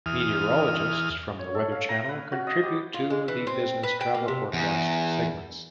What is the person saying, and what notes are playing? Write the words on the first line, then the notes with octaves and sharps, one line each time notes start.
Meteorologists from The Weather Channel contribute to the "Business Travel Forecast" segments.
E2 D#6 F6
C#5
A4
F5
A#5
B4
F#4
D#5
G4
F4
G#3
E3
C4
B4
G5
A#3
C3
E2